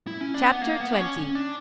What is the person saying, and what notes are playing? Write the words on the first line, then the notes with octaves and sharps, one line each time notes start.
Chapter XX.
E4
C#4
D4
B3
A#3
B3
D4
C#4
C#4
D4